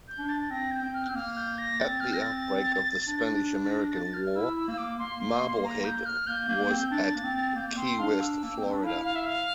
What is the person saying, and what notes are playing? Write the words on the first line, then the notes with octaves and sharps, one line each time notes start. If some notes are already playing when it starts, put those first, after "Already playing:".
At the outbreak of the Spanish-American War, "Marblehead" was at Key West, Florida.
G6
D4
A6
C4 A#6
G6
C4
F6
C4 G6
A#3 F6
G6
A#6
C4 A6
F6
A#6
A6
D4
A6
A#6
A6
F6
E4 E6
E6
A#3
D6
A#3 C6
A#5
G6
F6
A#3 G6
A#3
C4
D4 A6
A#3
C4
A#3 G6
C4 C6
D4 F5
E6
A#3
C4
D4
E4 F5
F5
E5
F5